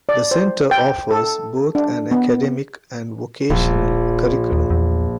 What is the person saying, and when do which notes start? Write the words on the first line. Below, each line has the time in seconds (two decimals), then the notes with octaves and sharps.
The Center offers both an academic and vocational curriculum.
0.09 D5
0.31 C5
0.71 G5
1.11 A4
1.75 D4
2.11 B3
3.50 D1 A#1
4.52 D#2
4.70 E2